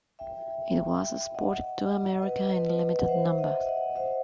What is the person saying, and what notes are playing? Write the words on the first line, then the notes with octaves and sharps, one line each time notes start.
It was exported to America in limited numbers.
E5 G5
D#5 F#5
D#5 F#5
B4 D#5
B4 D#5
F#5
C5 E5
D#5 F#5
D#5 F#5
C5 E5